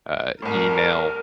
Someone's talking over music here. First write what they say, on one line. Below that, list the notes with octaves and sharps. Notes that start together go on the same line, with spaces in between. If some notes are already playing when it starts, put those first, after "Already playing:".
uh, email,
C2 A2 A#4